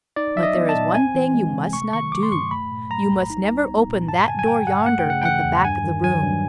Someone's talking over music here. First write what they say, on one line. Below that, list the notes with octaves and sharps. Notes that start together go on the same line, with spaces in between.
But there is one thing you must not do: you must never open that door yonder at the back of the room.
D#4 D5
F#3 E5
D#5
B3
A5
A#2
C4 G#5
E3
G#3
C3
A3 C#6
D#3 C#6
F#3 D6
C6
G2 C#6
A3 B5
A#2
F#3 A#5
C2
D#4
G3
B3
A#2
G2 A5
D3 G#5
G#5
G3 G5
G2 F#5
A3 F#5
G5
C#3 F#5
G5
E3 F#5
E2
G2 G#5
D#3
F#3 G#5
G2